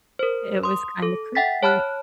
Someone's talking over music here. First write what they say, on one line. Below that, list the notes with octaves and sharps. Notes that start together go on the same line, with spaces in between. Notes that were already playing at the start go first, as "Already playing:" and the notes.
it was kinda creepy.
A#4 C5
C6 D#6
A4
E5 F#5 G5 A6 B6
C#5 A5 B5 F6 F#6